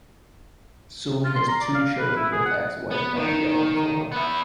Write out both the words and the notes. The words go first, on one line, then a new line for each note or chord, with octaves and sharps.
Suli has two children with ex-wife Donyell McCullough.
F4
C6
A#5
D5
F5
B4
E4
G#4
F#5
B3
D#3
B3 E5